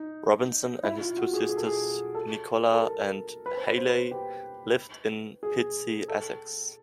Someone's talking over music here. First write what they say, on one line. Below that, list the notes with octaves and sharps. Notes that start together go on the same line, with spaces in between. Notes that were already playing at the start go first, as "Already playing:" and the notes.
Robinson and his two sisters, Nicola and Hayley, lived in Pitsea, Essex.
Already playing: D#4
E4
F4
F#4
G#4
G#4
A4
G#4
A4
A4
A#4
B4
C5
B4
C5
B4
G4
G#4
A4